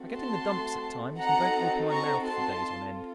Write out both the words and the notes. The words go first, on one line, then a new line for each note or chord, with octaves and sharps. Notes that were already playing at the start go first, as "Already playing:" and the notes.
I get in the dumps at times, and don't open my mouth for days on end.
Already playing: A3 C4 F#4 A4
A5 C6
C4 D#4 F#4 A4 F#5 A#5
A#5 C#6
A5 C6
C4 F4 A4